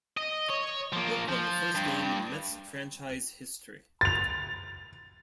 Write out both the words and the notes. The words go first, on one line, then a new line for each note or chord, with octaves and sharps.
Hook won the first game in Mets franchise history.
D#5
C#5
F3 A#3
F3
G2
A6 F7